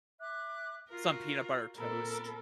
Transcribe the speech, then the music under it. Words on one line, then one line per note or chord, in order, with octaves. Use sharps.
some peanut butter toast.
E5 D6 F#6
F4 F#4 A#4
A#2 C4 A4 A#4 B5